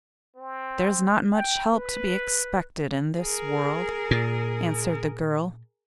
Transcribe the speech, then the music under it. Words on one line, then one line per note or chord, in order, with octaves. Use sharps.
'There's not much help to be expected in this world,' answered the girl.
C4
G5
B4
G#4 A#4
A#2